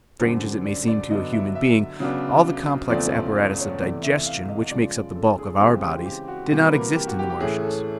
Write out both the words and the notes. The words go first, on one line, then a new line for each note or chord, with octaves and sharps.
Strange as it may seem to a human being, all the complex apparatus of digestion, which makes up the bulk of our bodies, did not exist in the Martians.
F#2 D3 G3 C5
D5
D5
D3 F#3 B3 D4 D#5
E5
E5
C#3 F#3 B3 D4
E2 C#3 F3 A3 C4 D5
D5
C#5
E2 C3 E3 A3 D5
E5
F5
D#5
C#3 F3 G#3 D5
A4
G#4
C#3 E3 G#3 C4 G4
G4
G4
F#4
C3 E3 G3 A#3 F#4
B4
A#4
G4
F#4
G4
G4
A2 E3 A3 C#4 G#4
A4